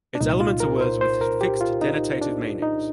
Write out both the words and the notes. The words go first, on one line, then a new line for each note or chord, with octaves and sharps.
Its elements are words with fixed denotative meanings.
D4
C2 A#2 D#4
F4
A#4
C5
C5
A#4
G4
F4
D#4
D4
D#4